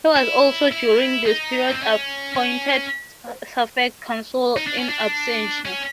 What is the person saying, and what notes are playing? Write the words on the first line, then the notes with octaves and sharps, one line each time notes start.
He was also during this period appointed suffect consul "in absentia".
E4
E4
D#4
C4
C#4
C#4
D#4
D4
C#4
D4
C#4